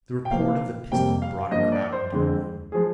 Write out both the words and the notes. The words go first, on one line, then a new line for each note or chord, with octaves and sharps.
The report of the pistol brought a crowd into the room.
G5
C3 F3 A#3 F5
F2 C3 G3 A#3 G5
F5
G2 F3 A#3 D#5
D5
C5
F2 D3 G#3 C4
F3 G#3 G#4